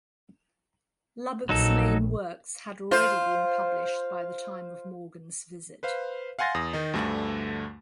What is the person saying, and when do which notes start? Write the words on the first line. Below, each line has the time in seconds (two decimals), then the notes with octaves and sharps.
Lubbock's main works had already been published by the time of Morgan's visit.
1.49 A#1 F#3 D#4 A4
2.91 F4 C5
5.83 B4 C5 F5
6.39 F5 F#5 G#5 C6 A6 A#6
6.54 E2 D#6 A#6
6.73 D#3 D#4
6.93 D2 G2 D3 A3